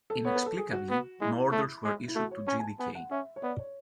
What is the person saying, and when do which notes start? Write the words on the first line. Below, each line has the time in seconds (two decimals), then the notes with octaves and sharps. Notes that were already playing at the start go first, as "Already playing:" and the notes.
Inexplicably, no orders were issued to G.d.K.
0.10 A4
0.25 B3 C#5
0.36 B4
0.46 A4
0.58 G#4
0.73 F#4
0.90 B3
1.21 G#3 E4
1.52 A3
1.84 G#3
2.08 E4
2.16 A3 F#4
2.31 C#5
2.47 C#4 G#5
2.59 G#5
2.63 A5
2.79 B3 G#5
2.95 F#5
3.11 C#4 E5
3.36 C#5
3.42 B3 D5
3.59 C#5